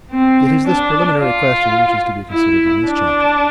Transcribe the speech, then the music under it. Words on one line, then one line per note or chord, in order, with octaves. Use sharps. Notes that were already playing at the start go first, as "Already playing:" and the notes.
It is this preliminary question which is to be considered in this chapter.
C4
D4
F4
E4
D4